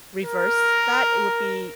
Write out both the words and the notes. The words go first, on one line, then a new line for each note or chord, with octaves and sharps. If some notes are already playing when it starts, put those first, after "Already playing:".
reverse that, it would be
A#4